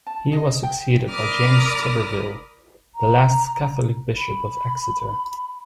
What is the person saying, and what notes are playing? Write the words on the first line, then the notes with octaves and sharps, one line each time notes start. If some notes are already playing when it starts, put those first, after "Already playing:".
He was succeeded by James Turberville, the last Catholic Bishop of Exeter.
A5
G#4 D#5
G5
A#4 D5 B5 D6 D#6 F6
A#5
B5